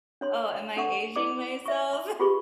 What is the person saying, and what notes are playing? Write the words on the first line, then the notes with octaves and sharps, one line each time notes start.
Oh, am I aging myself?
D4 C#5 C6
D4 A4 F#5 C#6
E4 D5 D6
E5 C#6
C6
F4 G4 G#4 B4 C6 C#6